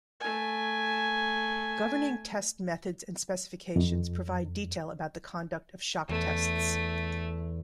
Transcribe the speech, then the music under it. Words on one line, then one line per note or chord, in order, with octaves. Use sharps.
Governing test methods and specifications provide detail about the conduct of shock tests.
A3 G#5
F2
E2 A3